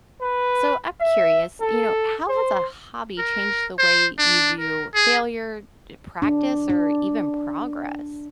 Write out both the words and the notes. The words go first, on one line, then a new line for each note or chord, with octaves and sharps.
So I'm curious, you know, how has a hobby changed the way you view failure, d practice, or even progress?
B4
E5
A4
C5
A#4
C5
D4
A#4
G#4
D4
D4